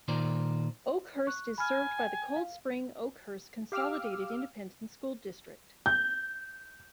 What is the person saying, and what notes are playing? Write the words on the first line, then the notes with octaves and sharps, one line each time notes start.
Oakhurst is served by the Coldspring-Oakhurst Consolidated Independent School District.
A#2 D#3 F4 A#4 C5 D5
C#6 F#6
G#5 B5 F6
G5
F5
G4 F5 D6 E6 F6
G6